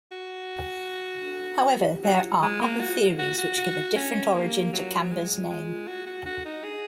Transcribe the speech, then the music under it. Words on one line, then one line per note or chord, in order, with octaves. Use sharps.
However, there are other theories which give a different origin to Cambre's name.
F#4
F#3
G#3
A#3
F#4
F#4
F#4
F#4
C#4
A#3
F#3
G#3
G#3
F#4
F#4
F#4
D#4
G#4